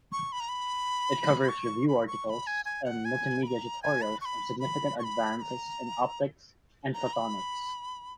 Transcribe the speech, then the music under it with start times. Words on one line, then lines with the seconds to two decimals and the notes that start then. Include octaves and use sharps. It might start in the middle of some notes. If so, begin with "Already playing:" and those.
It covers review articles and multimedia tutorials on significant advances in optics and photonics.
0.12 C#6
0.32 B5
0.40 A#5
0.49 B5
1.49 C#6
1.88 B5
2.07 C#6
2.26 C#6
2.30 B5
2.47 G#5
2.65 G#5
2.85 F#5
3.05 G#5
3.43 B5
3.47 A#5
3.83 G#5
4.02 B5
4.21 C#6
4.25 B5
4.60 B5
4.99 C#6
5.04 B5
5.37 B5
5.42 A#5
6.94 A#5
7.13 B5